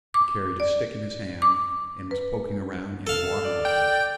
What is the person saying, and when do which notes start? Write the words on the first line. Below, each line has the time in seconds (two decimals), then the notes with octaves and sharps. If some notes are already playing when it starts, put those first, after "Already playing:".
He carried a stick in his hand, and was poking around in the water with it.
0.14 D6
0.60 D5
1.42 D6
2.11 B4
3.07 A4 F5
3.45 D5
3.65 G5